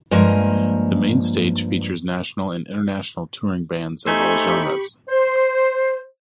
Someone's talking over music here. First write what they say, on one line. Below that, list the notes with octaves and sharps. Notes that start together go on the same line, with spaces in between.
The Main Stage features national and international touring bands of all genres.
G2 F3 G#3 A#3 G#5 A#5
A3 D#4 G4 C5 G#5 B5 C#6
C5